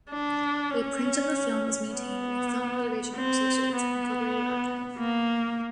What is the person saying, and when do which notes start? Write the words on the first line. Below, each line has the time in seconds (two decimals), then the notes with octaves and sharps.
A print of the film is maintained in the Film Preservation Associates, Incorporated archive.
0.10 D4
0.70 C#4
1.92 B3
3.15 C4
3.77 B3
4.98 A#3